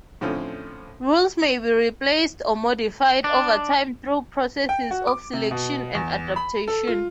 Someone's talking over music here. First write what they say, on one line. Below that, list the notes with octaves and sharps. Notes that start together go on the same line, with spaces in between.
Rules may be replaced or modified over time through processes of selection and adaptation.
A2 D3 F3 C4 C#4
D4
G5
F#4
D6
C3
B2
E2
B5
A4
F4